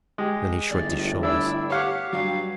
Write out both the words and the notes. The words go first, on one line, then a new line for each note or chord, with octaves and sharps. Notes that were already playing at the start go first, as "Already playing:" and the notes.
Then he shrugged his shoulders.
G#3 G4
G1 A2 D5
D4 E4 E6
G4 C#5 F5 F#5
G2 F#3 G3 F5